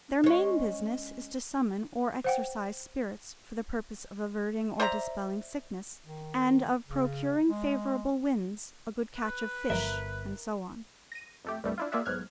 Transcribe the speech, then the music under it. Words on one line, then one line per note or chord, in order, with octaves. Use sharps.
Their main business is to summon or exorcise spirits for the purpose of averting or dispelling sickness, and of procuring favourable winds, a good catch of fish, and so on.
G#3 C#4
C5 F#5 G5
C5 D5 E5 A#5
D#3
C#3
G#3
B4
G1 F3 F#3 G#3 A#4 E5
A#6 D#7
F2 A3 G4
C2 G2 G3 A3
D4 E4 F4
A#3 F4 G#4 D5 E5 F#5
B1 G#2 F6 F#6 G#6